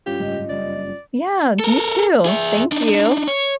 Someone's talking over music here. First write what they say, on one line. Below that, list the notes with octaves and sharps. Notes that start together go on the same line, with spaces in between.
Yeah, you too, thank you,
G2 C#4 F4 G4
F#1 G#2 G3 D#5
F#1 G3 D5
A4 A#4
G#4 E5
D4 D#4
C#5